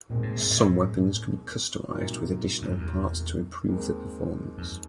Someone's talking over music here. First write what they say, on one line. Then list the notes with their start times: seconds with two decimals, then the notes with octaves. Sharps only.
Some weapons can be customized with additional parts to improve their performance.
0.09 E1 D#2 A#2 D#3 G#3 C4
0.23 A2
0.37 G#2
0.52 A2
1.89 C2 A#2 F#3 A#3 D#4
2.62 F#2
2.71 F2
2.78 E2
3.68 D#2 D#3 G#3 C4
4.58 F2